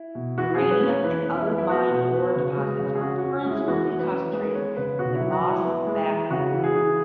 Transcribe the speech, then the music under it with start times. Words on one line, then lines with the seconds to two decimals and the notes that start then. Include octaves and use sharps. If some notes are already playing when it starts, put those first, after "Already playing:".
Uranium and other mined ore deposits are principally concentrated in the Moss Back Member.
Already playing: E4
0.15 B2
0.38 E3 F#4
0.55 G#4
0.60 C#4
0.71 B4
0.81 C#4
0.86 C#5
1.04 E3 B4
1.26 B3
1.36 E4
1.47 B3
1.58 E4
1.69 B3 F#4
1.91 B2
2.14 B3
2.36 C#3
2.58 G#3
2.79 C#3
2.95 G#4
3.01 C#4 F#4
3.18 F#4
3.24 C#4
3.34 F#4
3.46 G#3 E4
3.67 E3 F#4
3.89 E3
4.00 B4
4.11 C#4
4.33 G#3 B4
4.55 B3 C#5
4.76 C#3 B4
4.99 B2 F#4
5.16 F#3 E4
5.32 F#4
5.43 F#3 E4
5.65 B3
5.87 G#3
6.09 E3
6.30 C#3 F#4
6.52 E3
6.64 G#4
6.75 E3